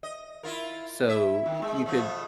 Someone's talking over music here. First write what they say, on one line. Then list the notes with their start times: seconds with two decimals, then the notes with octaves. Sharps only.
so, you could
0.03 D#5
0.43 E4 F4 A#4
1.08 E4 E5
1.46 D#3
1.62 G#3
1.86 B2 F3 A3